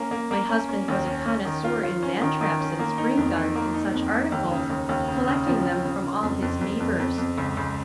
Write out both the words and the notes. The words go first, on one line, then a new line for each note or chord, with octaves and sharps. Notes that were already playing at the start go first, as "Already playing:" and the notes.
My husband was a connoisseur in man-traps and spring-guns and such articles, collecting them from all his neighbors.
Already playing: A#3 C#4
A#3
A#3
C#4
C#4
D#2
C#4
C#4
D#3
F4
F4
C#4
D#3
D#3
C#4
A#3
D#4
F2
D#4
A#3
D#4
F2
D#4
D#2
C#3
D#2
D#2
C#3
C#3
F3
C#3
C#3
C#3
F2
F2
F2
F2
F2
F2
C#2
C#2